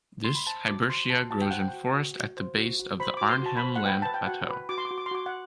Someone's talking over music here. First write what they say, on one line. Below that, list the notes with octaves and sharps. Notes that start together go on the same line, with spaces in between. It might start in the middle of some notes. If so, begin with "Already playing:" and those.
This hibbertia grows in forest at the base of the Arnhem Land Plateau.
C6
B5
C5 A5
F#4 D6
C5 C6
F#4 A5
F#4 A5
G5
C5 F#5
G5
F#4
F#4
F#4
C5
F#4
F#4
C5 B5
F#4 D6
C6
F#4 A5
B5
C5
F#5
B4 G5
B4 A5
G5
F#4 F#5
B4
F#4 D6
C6
D6
F#4
D6
C6
F#4 D6
F#5